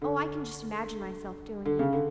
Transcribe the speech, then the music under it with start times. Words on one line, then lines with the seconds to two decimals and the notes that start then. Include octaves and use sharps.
Oh, I can just imagine myself doing it.
0.02 D3
1.65 D3
1.79 C#3
1.93 D3